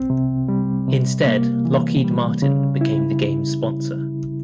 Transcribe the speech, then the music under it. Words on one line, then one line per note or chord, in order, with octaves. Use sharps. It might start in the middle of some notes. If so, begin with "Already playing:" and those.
Instead, Lockheed Martin became the game's sponsor.
Already playing: C2 C4
C3
G3
C3
A#3
E3
G3
C#3
E4